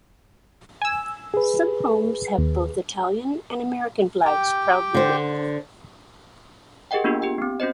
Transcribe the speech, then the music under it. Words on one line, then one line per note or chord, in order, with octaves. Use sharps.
Some homes have both Italian and American flags proudly waving.
G#5 E6
G#4 B4
D#2
G4 G5
D3 C5
G4 G#4 A#4 D#5 F#5 G5
A#3 B3 D4 F4 G4
G4 G5
B3 C4
C#4 F#4 C5 D#5